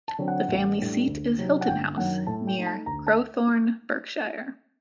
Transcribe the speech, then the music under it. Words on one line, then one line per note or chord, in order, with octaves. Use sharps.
The family seat is Hilton House, near Crowthorne, Berkshire.
A5
D3 F#3 C4
F#5
A1
A2 G3 D4
D2
C3 F#3 C4 D#4
F#5
G1 G5
F#2 D#3 F#3 F#5
A2 A5
G5
A3 D#4
A5
D2 A#5
A5